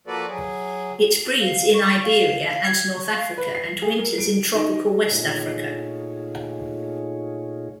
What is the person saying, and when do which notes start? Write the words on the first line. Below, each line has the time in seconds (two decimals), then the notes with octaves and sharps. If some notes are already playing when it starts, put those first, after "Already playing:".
It breeds in Iberia and north Africa, and winters in tropical west Africa.
0.07 F3 A#3 F#4 A4 B4 D5
0.28 F#3 G#4
1.41 F5
1.74 C#6
2.04 F5
2.48 F5
2.65 G#6
2.96 C#6
3.13 F5
3.38 B4
3.55 C7
3.82 G#4
3.98 A#4
4.18 D7
4.55 D#4
5.11 A#2 A3 D#4 F4 G#4 C#5